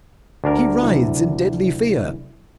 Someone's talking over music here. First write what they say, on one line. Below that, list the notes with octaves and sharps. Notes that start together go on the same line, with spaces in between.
He writhes in deadly fear.
D2 D4 A#4
C3 F#3 E4